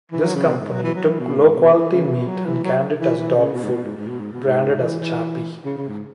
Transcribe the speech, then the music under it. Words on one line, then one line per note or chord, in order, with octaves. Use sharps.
This company took low-quality meat and canned it as dog food, branded as "Chappie".
E3
F#3
C#3
B2
G#2
F#3
E3
F#3
E3
B2
G#2
B2
E3
C#3
B2
F#3
E3
F#3
E3
E3
C#3
B2
G#2
B2
G#2
G#2
B2
G#2
B2
G#2
E3
E3
C#3
C#3
G#2